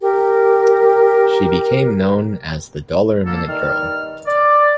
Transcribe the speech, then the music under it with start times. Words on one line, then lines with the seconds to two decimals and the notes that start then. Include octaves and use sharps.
She became known as the Dollar-a-Minute Girl.
0.01 G4 A#4
3.25 D3 A#3 A4
3.49 G2 D#3 D5 F6
4.26 D5